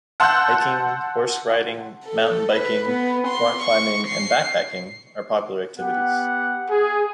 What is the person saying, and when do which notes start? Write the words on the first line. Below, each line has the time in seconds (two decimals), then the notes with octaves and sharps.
Hiking, horse-riding, mountain biking, rock climbing, and backpacking are popular activities.
0.20 F#5 A5 C6 E6 F#6 G6
2.04 A4
2.52 B4
2.89 B3
3.27 C6
3.62 C#6
4.07 C7
5.78 B3 G4 F#5
6.70 G#4